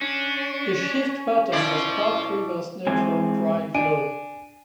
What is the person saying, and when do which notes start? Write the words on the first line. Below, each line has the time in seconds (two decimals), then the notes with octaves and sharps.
The shift pattern was Park-Reverse-Neutral-Drive-Low.
0.01 C#4 D4
1.52 B2 E4 C5 D5 F5
2.87 G#2 E3 G#3 C4 G#5
3.74 D4 G#5 D7 D#7